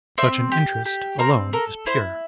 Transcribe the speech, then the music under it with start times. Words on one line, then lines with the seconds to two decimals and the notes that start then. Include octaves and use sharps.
Such an interest alone is pure.
0.18 C4 E5
0.52 G4
0.85 G4
1.19 C4 A#4
1.53 A4 A#4
1.86 E4 C5